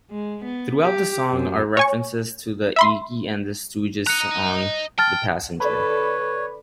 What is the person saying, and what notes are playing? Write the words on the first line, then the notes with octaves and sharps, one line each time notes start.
Throughout the song are references to the Iggy and the Stooges song, "The Passenger".
G#3
B3
G4
F#2
C#5 G#5 C#6
E5 B5 C6
D#5 A#5 F#6 C#7
G5 A5 F6 A6
D3 A4 B4 C#5 D5 B5